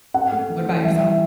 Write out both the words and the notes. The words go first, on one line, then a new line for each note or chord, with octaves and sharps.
What about yourself?
C4 F#5
A3
E3
E3
G3 E5
E3 E5